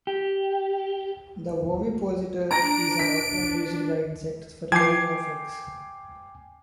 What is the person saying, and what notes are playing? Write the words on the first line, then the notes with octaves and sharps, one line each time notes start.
The ovipositor is an organ used by insects for laying of eggs.
G4
D4 A#5 A#6 D7
B6
F3 G5 G#5 D6 G#6 C7